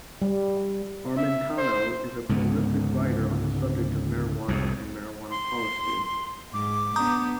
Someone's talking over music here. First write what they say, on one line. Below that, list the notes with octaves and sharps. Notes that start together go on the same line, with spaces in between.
Armentano is a prolific writer on the subject of marijuana and marijuana policy.
G3
E5
C5
C#2 G#2 D3 B3
C2 F2 A2
C6
G#2 D6
B3 D4 A#5 D#6 G6